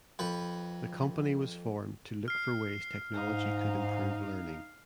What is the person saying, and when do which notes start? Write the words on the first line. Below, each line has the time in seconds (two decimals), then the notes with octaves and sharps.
The company was formed to look for ways technology could improve learning.
0.19 F2 B4
2.28 F6 C7
3.13 G#2 D#4 F5